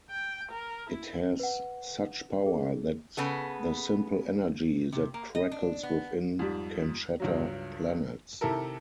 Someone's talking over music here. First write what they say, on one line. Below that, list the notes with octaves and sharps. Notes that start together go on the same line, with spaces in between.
It has such power that the simple energy that crackles within can shatter planets.
G5
A#4
E4
B4 F#5
G#4
C#3 B3 A4
C3
A#3
D#5
D4
B3
F2 G#2 G3
C#2 G2 F#3
C3 D#3 E4 G4 A4 A#4